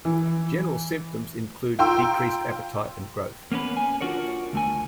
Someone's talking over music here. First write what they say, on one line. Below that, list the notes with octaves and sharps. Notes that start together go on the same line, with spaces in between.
General symptoms include decreased appetite and growth.
E3
F4 G5 A#5 C6 E6
A#3 B3 C#4 B4
G#5
D4 F4 F#4 A#4 C#5
D2 A3 G#5